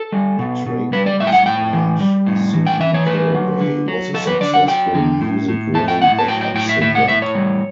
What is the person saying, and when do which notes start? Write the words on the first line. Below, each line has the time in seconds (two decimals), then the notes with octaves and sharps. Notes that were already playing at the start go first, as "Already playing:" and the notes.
Matraca's Aunt Sudie Calloway was a successful Music Row backup singer.
Already playing: A4
0.12 G3
0.39 B2
0.66 B2
0.92 G3 B4
1.06 D5
1.20 A2 E5
1.27 G5
1.32 F#5
1.46 A2 G5
1.73 E3
2.00 G3
2.26 A2
2.54 E3
2.66 G5
2.80 E3 E5
2.94 C#5
3.07 A3 B4
3.34 F#3
3.60 D3
3.88 F#3
4.14 F#3 A4
4.27 B4
4.41 D3 D5
4.54 F#5
4.68 F#3 G5
4.94 D3
5.21 A2
5.48 A2
5.74 A3 A5
5.88 G5
6.02 A2 F#5
6.19 A5
6.28 F#3 G5
6.41 G5
6.54 A2 G5
6.69 E5
6.81 A2 E5
6.95 F#5
7.08 A2 E5
7.22 C#5
7.35 G3